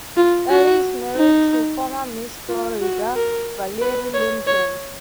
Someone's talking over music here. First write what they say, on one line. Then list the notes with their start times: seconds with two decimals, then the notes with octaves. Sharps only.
Ely is married to former Miss Florida, Valerie Lundeen.
0.17 F4
0.51 F#4
1.16 D#4
2.49 F4
2.82 F#4
3.15 A#4
3.81 B4
4.14 C#5
4.47 C#5